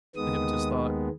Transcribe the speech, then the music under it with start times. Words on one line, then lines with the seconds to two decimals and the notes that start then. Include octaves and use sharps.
The hypnotist thought.
0.16 D#2 D#3 G#3 B3 D#6